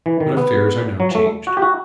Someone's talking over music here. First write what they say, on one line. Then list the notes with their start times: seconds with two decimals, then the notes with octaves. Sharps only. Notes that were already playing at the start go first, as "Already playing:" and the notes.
But affairs are now changed.
0.06 E3
0.20 D#3
0.37 B3
1.00 F#3
1.15 A3
1.47 F#4
1.57 G4
1.62 F#4